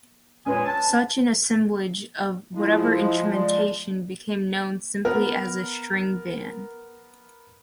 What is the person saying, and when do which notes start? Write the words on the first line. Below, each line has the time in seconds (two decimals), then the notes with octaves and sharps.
Such an assemblage, of whatever instrumentation, became known simply as a string band.
0.46 A#2 G#3 C#4 B4 C#5 G#5
0.65 A5
2.55 F3 G#3 E4
3.34 D5
5.05 B3 A#4